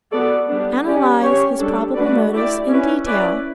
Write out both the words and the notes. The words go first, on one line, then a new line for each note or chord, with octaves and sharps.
Analyze his probable motives in detail.
B3 F#4 A4 D5
G3 B3 D4
C#4 G4 D5
C#4 G4 C#5
G3 D4 A4
A3 D4 F#4 B4 D5
A3 E4 G4 D5
C#4 E4 B4
C#4 E4 B4 D5